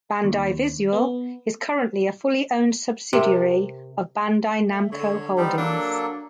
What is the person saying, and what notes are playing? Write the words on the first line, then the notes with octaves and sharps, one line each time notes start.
Bandai Visual is currently a fully owned subsidiary of Bandai Namco Holdings.
D#2
B3
C3 G4 A#4 E5
A3
D3 C#5
G3 B3 C4 D#4
F#3 A#3 D4 A4